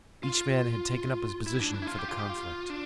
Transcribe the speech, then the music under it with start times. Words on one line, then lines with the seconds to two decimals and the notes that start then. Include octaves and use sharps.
Each man had taken up his position for the conflict.
0.23 F4
1.47 E4
1.61 D4
1.75 D4
1.82 E4
1.87 F4
1.99 G4
2.08 F4
2.19 G4
2.29 F4
2.70 D4